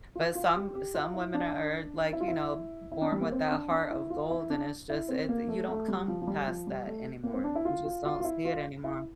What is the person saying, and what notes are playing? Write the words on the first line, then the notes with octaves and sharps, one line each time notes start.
but some some women are are, like, you know, born with that heart of gold and it's just it you don't come past that anymore, you just don't see it anymore.
F4
F4
G4
G4
F4
E4
D4
E4
F4
E4
E4
D4
G3
A#3
C4
D4
D4
E4
F4
E4
D4
E4
C4
A#3
A3
A3
G3
F3
F3
G3
F3
G3
A3
A#3
C4
D4
E4
F4
F4
F4
F4
E4
F4
E4